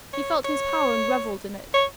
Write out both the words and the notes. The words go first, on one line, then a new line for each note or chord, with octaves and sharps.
He felt his power and revelled in it.
C#5
C#5
C#5